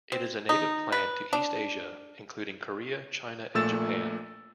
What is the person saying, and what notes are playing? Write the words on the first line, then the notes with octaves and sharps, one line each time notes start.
It is a native plant to East Asia including Korea, China and Japan.
C4
D#4
B4
D4
A#1 A#2 A3 E6 A6 E7